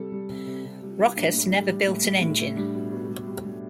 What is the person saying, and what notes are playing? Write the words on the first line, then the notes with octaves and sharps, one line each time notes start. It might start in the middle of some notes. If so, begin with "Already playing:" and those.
Rochas never built an engine.
Already playing: C3 G3 A4
G3
C3
C3
C3
G3
G3
A2 D4
A2
G3
G3
A2
A2
A2
A2
G3 D4
B2
B2
G3
G3
G3